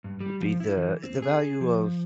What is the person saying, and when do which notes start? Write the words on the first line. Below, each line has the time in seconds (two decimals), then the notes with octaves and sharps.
would be the, the value of
0.04 G2
0.20 G3
0.41 F3
0.60 E4
0.77 E3
1.03 C4
1.22 G#4
1.61 F3